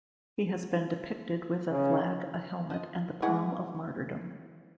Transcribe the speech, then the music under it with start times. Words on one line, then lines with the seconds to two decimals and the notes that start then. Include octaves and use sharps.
He has been depicted with a flag, a helmet and the palm of martyrdom.
1.70 C#3
2.70 F3 D#5
3.22 E3 G#3 D#4 E4 G#4 F#5